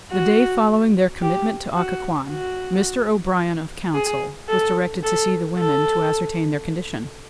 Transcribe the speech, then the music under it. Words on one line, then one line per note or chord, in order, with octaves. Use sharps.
The day following their commitment to Occoquan Mr. O'Brien, of counsel, was directed to see the women, to ascertain their condition.
F#4
G4
F#4
F#4
G#4
A4
A4
A4